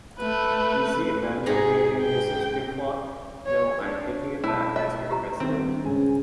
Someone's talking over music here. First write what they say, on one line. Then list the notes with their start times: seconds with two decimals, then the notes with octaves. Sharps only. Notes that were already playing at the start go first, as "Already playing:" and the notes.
Is the amendment maintained, Mrs Duflot? No, I’m taking it back, Mister President.
0.20 A3 B4
1.46 G#2 G4 G#4 A#5
2.01 G5
3.46 C#5
3.83 D4
4.44 B2 A3 E4 C#5 A5
4.76 F4 C#5 D#5 E5
5.09 F4 G4 A#5
5.40 G2 D#3 B3 C4
5.83 G#2 C#3 G#5